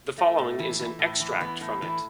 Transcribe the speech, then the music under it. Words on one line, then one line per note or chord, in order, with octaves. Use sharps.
The following is an extract from it.
A2 A3
A2
E3
E3
A2
E3
E3 B3
A2
E3